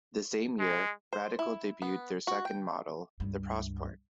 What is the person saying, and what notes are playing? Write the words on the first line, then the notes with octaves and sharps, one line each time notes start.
The same year, Radical debuted their second model, the Prosport.
G#3
C5
E4
B3
F#4
G5
C#2 G2